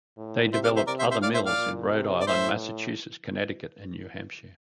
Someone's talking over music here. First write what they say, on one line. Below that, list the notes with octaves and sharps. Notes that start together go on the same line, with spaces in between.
They developed other mills in Rhode Island, Massachusetts, Connecticut, and New Hampshire.
A2
C3 C5 E5
D5 F5
C5 E5
C3 A#4 D5
C5 E5
C5 E5
A2 D5 F5
C5 E5
D5 F5
A#2
C3
D5
A2 C5 E5